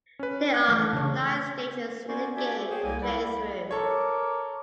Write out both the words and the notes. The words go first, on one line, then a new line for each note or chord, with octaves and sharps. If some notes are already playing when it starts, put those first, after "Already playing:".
There are nine stages in the game to play through.
C#4 B4
F#6
E3 A3
C#3 D4 C#5
B3 C#4 F#4 C5 D5 G#5
D4 F#4 G4 D5 E5 G#5
G#4 A4 C5 C#5 G5
C2 A#3 G#5
C#2 E4 A4 D5 F#5 B5
A4 A#4 C#5 D6